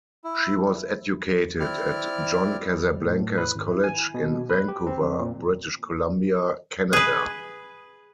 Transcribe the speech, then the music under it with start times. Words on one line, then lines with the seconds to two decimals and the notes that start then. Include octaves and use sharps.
She was educated at John Casablanca's College in Vancouver, British Columbia, Canada.
0.24 E4
1.60 C4 E4 D5 F6
3.02 A2
3.38 B4
3.55 G#1
3.71 E4
3.84 G#5
4.14 B2
4.50 B4
4.68 G4
4.87 C4
5.02 F2
5.20 A#2
6.93 G#4 B4